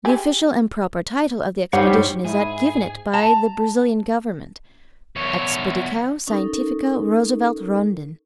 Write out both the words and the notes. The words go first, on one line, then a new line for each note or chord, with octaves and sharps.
The official and proper title of the expedition is that given it by the Brazilian Government: Expedicao Scientifica Roosevelt- Rondon.
G4 G#4
G2 G3 D#4 C5 C#5 F#5
G#2 E4 G#4
A5 A#5
E2 C#5
C#4 D#4 A4 A#4